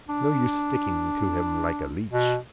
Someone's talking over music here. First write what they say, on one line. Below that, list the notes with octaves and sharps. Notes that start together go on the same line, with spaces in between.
No use sticking to him like a leech.
D4
B2